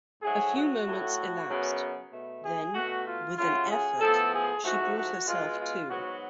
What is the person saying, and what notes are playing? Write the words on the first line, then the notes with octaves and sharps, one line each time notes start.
A few moments elapsed; then, with an effort, she brought herself to.
G#2 F#3 A3 G#4
F#4
A2 F#3 A3
F#2 C#3 F#3 B3
B2 A3
G#4
B2 A3 F#4
F4
C#3 F#3 A3 F4
G#4
A2 F3 B3 A4
G#4
G#2 F3 A3 F#4
F#4
B2 G#3 B3 F4
F4
G#2 F#3 B3 F#4